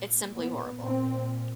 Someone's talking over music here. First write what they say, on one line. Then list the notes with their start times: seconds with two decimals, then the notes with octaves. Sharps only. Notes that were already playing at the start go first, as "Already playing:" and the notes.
It’s simply horrible.
Already playing: A#2
0.35 B3
0.80 A#2 C4